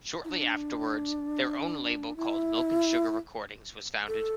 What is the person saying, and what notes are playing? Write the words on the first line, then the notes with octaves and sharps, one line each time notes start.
Shortly afterwards, their own label called Milk and Sugar Recordings was founded.
E4
D4
E4
A4